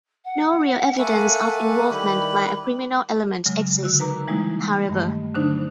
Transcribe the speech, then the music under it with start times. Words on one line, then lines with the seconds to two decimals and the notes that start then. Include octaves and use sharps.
No real evidence of involvement by a criminal element exists, however.
0.25 F#5
0.98 A3 A#3 A4 E5 F#5 G#5 B5
1.90 D#3 G3 E4 G4 B4 B5
3.46 C#3 F#3 G#3
3.83 D3 F#4 E6
3.99 D#4 A#4 B4 A#5 D6
4.28 E3 G3 G#3 A#3 D#4 E4
4.89 G2 D#3 G3 A3
5.35 D3 F#3 A3 D4 D#4 C5